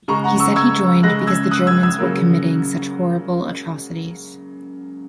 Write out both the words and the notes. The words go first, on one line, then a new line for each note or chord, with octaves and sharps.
He said he joined "because the Germans were committing such horrible atrocities".
C#3 G#3 A#5 C#6
F#5 A#5
C#6 E6
E6 G#6
C#3 G#3 F#6 A#6
E6 G#6
D#6 F#6
E6 G#6
E6 G#6
C#3 F#3 A#3